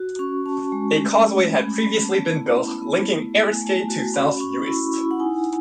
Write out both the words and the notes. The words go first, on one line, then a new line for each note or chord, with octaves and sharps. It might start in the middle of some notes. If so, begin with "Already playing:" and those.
A causeway had previously been built linking Eriskay to South Uist.
Already playing: F#4
C#4 C#6
C#4 A5
G#3
A3
A3
A3 B5
C#4 B5
B3 A5
E4
E4 B5
B3
A3
A3
G#5
A3 A5
F#4
C#4 B5
C#4 C#6
E4 B5
E4
F#5
D#4 G#5